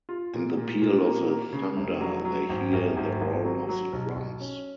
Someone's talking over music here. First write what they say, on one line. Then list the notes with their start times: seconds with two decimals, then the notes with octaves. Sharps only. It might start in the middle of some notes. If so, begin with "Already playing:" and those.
In the peal of the thunder they hear the roll of the drums.
0.09 F4
0.34 A#2
0.57 A#2
0.82 A#2
1.05 A#3
1.28 A#3
1.53 C#3
1.77 F1
2.01 F#3
2.25 F#3
2.49 G#1
2.73 F#2
2.97 G#1
3.21 G#1
3.45 F#3
3.69 F#3
3.93 B1
4.16 B1
4.41 C#4